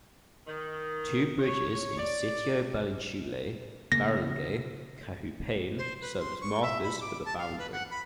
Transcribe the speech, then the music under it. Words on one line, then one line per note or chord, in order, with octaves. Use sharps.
Two bridges in Sitio Balintulay, Barangay Kahupian serve as markers for the boundary.
D#3
C#5
D5
C#3 A#3 A#6
C5
B4
C6
C#6
E5
B5
D6
A5
F5
B4
F#5
B5